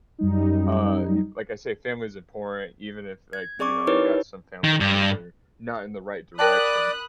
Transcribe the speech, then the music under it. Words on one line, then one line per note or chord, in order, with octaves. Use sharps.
uh, y like I say, family is important, even if, like, you know, you got some family members that are not in the right direction.
F#2 G3 D#4
G#6
C4 G#4 D5 C#6 D6
D#4 E4 G4 A#4 B4 C#5
D#3
G2
A#4 D5 G5 A5 B5 D#6 F#6